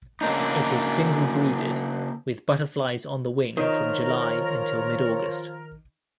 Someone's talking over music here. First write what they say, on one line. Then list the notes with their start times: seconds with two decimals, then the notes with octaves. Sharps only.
It is single brooded, with butterflies on the wing from July until mid-August.
0.21 C#3 A#3 D4 D#4
3.57 D#3 F3 D#4 F4 A#4 C#5